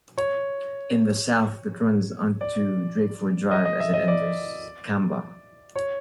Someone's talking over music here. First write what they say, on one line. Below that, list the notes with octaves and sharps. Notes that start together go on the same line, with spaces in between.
In the south, it runs onto Drakeford Drive as it enters Kambah.
C#5
D5
D#5
D#5
E5
D#5
D5
C#5